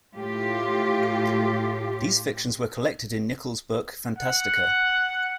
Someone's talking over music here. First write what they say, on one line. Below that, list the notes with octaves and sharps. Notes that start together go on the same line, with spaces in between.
These fictions were collected in Nichols' book "Fantastica".
A2 F4 G4
F#5